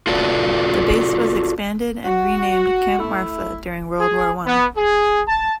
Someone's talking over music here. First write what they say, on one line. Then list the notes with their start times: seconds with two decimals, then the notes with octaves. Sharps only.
The base was expanded and renamed Camp Marfa during World War One.
0.07 F4 F#4 A4 B4 D5
2.05 F#4
2.99 A3 E4
3.99 G#4
4.46 B3
4.77 G#4
5.28 A5